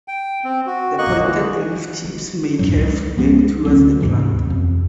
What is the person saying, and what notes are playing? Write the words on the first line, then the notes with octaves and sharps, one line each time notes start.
The pointed leaf tips may curve back towards the plant.
G5
C4
F#4
A#3 D#5 C#6 F#6
D3 E3
F2 A2 F#3
C#2
F3 G#3 B3 C#4
D2 F#3 C#4
D#2 G#2 C3 E3
F2